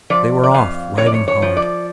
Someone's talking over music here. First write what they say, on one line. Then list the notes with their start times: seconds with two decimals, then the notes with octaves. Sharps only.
They were off, riding hard.
0.10 F3 D5
0.44 D5
0.54 F2 F5
0.97 F2 C#5
1.06 D5
1.14 C#5
1.28 C#5
1.42 F3
1.57 D5